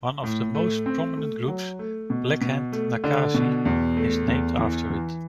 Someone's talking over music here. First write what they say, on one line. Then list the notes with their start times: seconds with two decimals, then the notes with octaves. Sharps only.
One of the most prominent groups, Blackhand Nakasi, is named after it.
0.24 A2
0.55 A3
0.86 C4
1.17 A3
1.48 F#3
1.79 A3
2.10 B2
2.41 B2
2.72 A3
3.04 D3
3.34 B2
3.65 E2
3.97 A3
4.28 E2
4.59 E3
4.90 E3